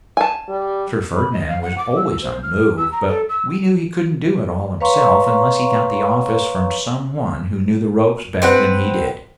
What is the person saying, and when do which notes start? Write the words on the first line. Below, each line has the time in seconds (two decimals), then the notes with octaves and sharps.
Sir Ferdinand was always on the move, but we knew he couldn't do it all himself unless he got the office from some one who knew the ropes better than he did.
0.17 G#5 A5
0.48 G3
1.16 B5
1.33 D#5
1.49 F5
1.62 F#5
1.78 D6
1.96 E6
2.22 C5
2.43 F6
2.77 E6
2.92 A#5
3.08 A4
3.29 E6
4.81 B4 C#5 F5 A#5 C6 C#6
8.42 C4 B4 F#5